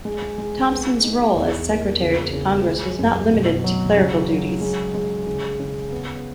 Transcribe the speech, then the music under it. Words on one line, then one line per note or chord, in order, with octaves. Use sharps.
Thomson's role as secretary to Congress was not limited to clerical duties.
G#3
G#3
B3
D#4
E2
A#3
C#3
C#3
G#3
F#2
B2
F#3
C#3
F#3
G#3
G#3
C#3
C#3
B3